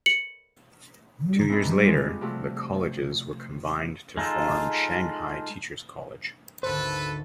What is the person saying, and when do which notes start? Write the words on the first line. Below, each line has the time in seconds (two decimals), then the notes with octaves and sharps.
Two years later, the colleges were combined to form Shanghai Teachers College.
0.06 C#7 F#7
1.49 E3 G#3 C4 D4 E4 D#5
1.84 G3 G#3 C4 D4 F4 G4
2.21 C3 F3 A3 F#4
4.17 G#3 D#4 F4 A4
6.63 G#1 D2 A4 B4 C5